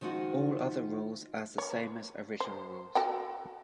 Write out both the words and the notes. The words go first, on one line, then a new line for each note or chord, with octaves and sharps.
All other rules as the same as original rules.
D#3 F3 G#3 D#4 F#4
C#5
C5
F#4 A4 G5